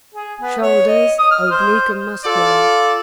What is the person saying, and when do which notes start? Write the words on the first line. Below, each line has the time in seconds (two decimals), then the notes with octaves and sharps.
SHOULDERS--Oblique and muscular.
0.14 G#4
0.41 B3
0.62 C#5
0.87 D#5
1.19 D#6
1.31 F6
1.51 C5
2.25 F4 A4 D5